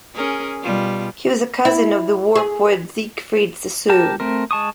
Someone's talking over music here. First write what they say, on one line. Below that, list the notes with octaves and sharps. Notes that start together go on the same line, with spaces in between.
He was a cousin of the war poet Siegfried Sassoon.
C#4 G#4 A#4
B2 G3 F4
E4
G#4
G4 A#4 A5
A3 C4 A#4
G#3 A5 C#6 D#6